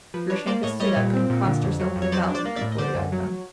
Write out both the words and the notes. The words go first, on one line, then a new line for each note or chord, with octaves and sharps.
Grushenka stood up and crossed herself devoutly before the ikon.
F3 B4
D4 B4 C#5
A#3 C5 D5
A2 C#5 D#5
G3 C#5 D#5
A#2
C4
A#2
D3
F2
F#3
F2
C#5
F#3 C5 D5
D4
C5 D5
A#3
D5 E5
A2
D#5
D3 C5 D5
F#2
F#3